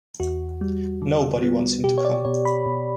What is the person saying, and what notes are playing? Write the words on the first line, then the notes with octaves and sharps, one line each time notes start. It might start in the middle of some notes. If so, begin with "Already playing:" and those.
Nobody wants him to come.
E2 F#4
G3
D3
B3
B2 G4
C#5
D5
B2 C#5
B5
B2